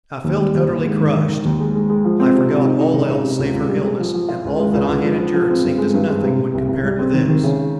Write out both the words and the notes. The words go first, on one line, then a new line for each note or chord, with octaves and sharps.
I felt utterly crushed. I forgot all else save her illness, and all that I had endured seemed as nothing when compared with this.
D#2
G3
D#2
D#2
G#2
D#3
D#3
D#3
D#2
G#3
G#3
G#3
F3
C4
C3
C3
D#4
D#4
C#3
C#3
C3
C#2
C#2
G3
G#4
F3
F3
F4
C#2
G#3
C#2
C#2
F3
F3
F3
C4
G2
G#3
G2
G#3
C3
C3
C2
C2
G3
C4
D#3
D#3
C#3